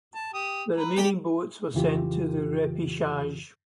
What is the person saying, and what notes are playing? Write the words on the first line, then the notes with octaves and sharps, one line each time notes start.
The remaining boats were sent to the repechage.
A5
G4 D#6
B4 A#5
G4 D5 G5
F2 C#3 E3 F4 G4